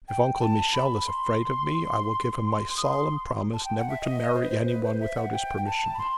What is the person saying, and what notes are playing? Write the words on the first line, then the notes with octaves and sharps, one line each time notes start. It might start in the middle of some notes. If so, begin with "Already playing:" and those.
If Uncle Michel is afraid of me, I will give him my solemn promise never to marry any one without his permission.'
G5
G5
A5
B5
C6
C6
D#6
C6
A5
G5
F#5
E5
D#5
C5
B4
C5
B4
C5
E5
F#5
G5
G5
A5
B5
C6